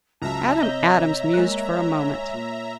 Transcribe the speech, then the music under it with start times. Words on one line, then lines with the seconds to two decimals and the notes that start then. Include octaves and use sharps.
Adam Adams mused for a moment.
0.22 C#2 F#3 E5 A5 A#5
0.63 C3 C#5 D#5 G6
1.33 G#3 A#3 F#6
2.33 A#2